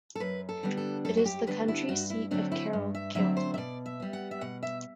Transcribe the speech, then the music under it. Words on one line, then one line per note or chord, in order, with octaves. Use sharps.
It is the county seat of Carroll County.
A4
F#2 B4
A4
D3 G3 B3 D4
A4
F#2 A4
F#4
G4
D3 G3 B3 D4 B4
E4
G2 F#4
E4
D3 F#3 A3 C4 D4
E4
G2
E5
D3 F#3 A3 C4 E5
C5
E5
B2 D5
E5
G3 B3
F#5
E5
B2 F#5
E5